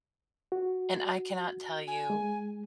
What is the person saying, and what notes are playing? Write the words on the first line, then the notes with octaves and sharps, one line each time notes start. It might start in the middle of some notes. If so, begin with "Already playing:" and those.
and I cannot tell you
F#4
G#5
G#3